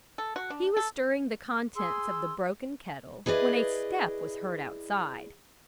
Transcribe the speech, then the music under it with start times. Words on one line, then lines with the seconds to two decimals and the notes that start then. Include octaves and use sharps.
He was stirring the contents of the broken kettle when a step was heard outside.
0.18 A4
0.36 F#4
0.50 D4
0.77 A4
1.75 G#4 C6 E6
3.26 E4 G#4 B4 D5 D#5